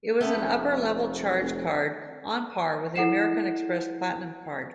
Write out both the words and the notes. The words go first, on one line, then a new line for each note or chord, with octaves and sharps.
It was an upper-level charge card on par with the American Express Platinum Card.
A3 B3 C#4
F1
F1
E4 A4 F#5 C7 E7